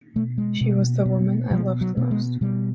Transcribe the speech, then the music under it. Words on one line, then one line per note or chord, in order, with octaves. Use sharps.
She was the woman I loved the most.
B2 A3
G#3
B2
B2
B2 F3
F#3
B2
G#3
B2 G3